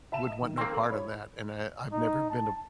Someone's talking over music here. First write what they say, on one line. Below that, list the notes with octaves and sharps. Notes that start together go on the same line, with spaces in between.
would want no part of that, and I I've never been a
E5 A5 E7
D#5
D#3
A#3 C4
A4
E4 C#5 B5
D#4
A5